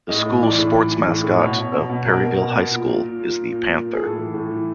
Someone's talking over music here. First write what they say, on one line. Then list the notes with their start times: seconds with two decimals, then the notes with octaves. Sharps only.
The school sports mascot of Perryville High School is the panther.
0.09 A2 D#5
0.26 A2
0.42 E3 D5
0.58 A2
0.75 E3
0.92 E3
1.07 A2
1.24 A2
1.40 B2 C#5
1.56 B2
1.73 B2
1.90 B2
2.06 B2 A#4
2.22 B2
2.39 B2
2.54 B2
2.71 A#2
2.87 A#2
3.03 A#2
3.20 A#2
3.36 A#2
3.52 A#2
3.68 A#2
3.85 A#2
3.93 G#4
4.02 A2 A4
4.18 E3
4.34 A2
4.50 E3